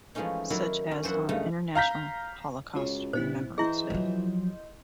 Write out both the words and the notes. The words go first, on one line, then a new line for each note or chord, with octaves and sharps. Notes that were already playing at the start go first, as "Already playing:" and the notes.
Such as on International Holocaust Remembrance Day.
E3 F3 G#3 A3 C#4 D#4
D#3 F#3 E4 A#4 D5
C#4
F#2 E3 D4 C5 E5 F#5
G2 C#3 G3 A3 D#4
F5 A#5 G6 B6
C#2 F4 F#4 C#5
G2 A#2 B3 E4 C5
E3 E4 G#4 D#5 C6 G6
F3 F#3